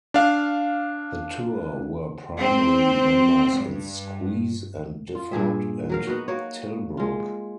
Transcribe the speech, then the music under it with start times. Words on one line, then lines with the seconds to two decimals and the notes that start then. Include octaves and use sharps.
The two were primary members in Squeeze and Difford and Tilbrook.
0.14 D4 F5
2.36 C4
3.57 G2
5.15 F4
5.31 G2 A#2 G#4 E5
5.89 F#3 A#4 F5
6.07 B3 D#4 F#4
6.28 A#3 F#4 C#5
6.97 G#3 F4